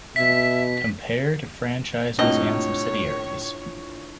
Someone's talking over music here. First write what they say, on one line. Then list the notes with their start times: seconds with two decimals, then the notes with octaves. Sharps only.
Compare to franchises and subsidiaries.
0.16 B2 E5 B6
2.19 A2 C3 D4 E4 F4 C#5 D#5